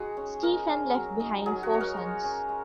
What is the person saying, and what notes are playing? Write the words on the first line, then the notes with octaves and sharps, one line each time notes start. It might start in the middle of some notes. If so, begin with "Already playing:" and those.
Stephen left behind four sons.
Already playing: G#3 D#4 F#4 G#4
C#4
G#3 A#4
C#4
F#3
D#4
F#3 G#4
F#4
D#4 C#5
A#4
G#3
C#4
G#3